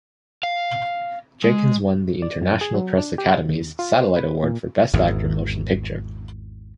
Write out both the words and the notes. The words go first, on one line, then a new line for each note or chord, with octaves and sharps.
Jenkins won the International Press Academy's Satellite Award for Best Actor - Motion Picture.
F5
G#3
D5
F#2
G#4
F#3
D4
G4
D#2
F4
C5
B4
A#2
G#1 E2